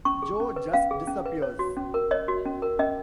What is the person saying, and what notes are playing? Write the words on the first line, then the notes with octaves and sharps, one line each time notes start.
Joe just disappears.
C#4 C#6
G#4
C#4
B4
C#4 F5
G#4
C#4
B4
C#5
F#4
C#4
A#4
C#5 D#5
F#4
C#4
A#4
C#4 D#5